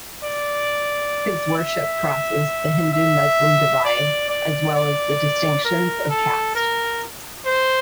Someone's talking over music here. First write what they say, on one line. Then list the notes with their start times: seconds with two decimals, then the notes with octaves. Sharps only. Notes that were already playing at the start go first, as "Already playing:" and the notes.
His worship crosses the Hindu-Muslim divide as well as the distinctions of caste.
0.23 D5
1.59 E5
2.93 E5
3.85 D5
4.30 D5
4.75 D5
5.65 A#4
6.10 A4
6.55 A#4
7.46 C5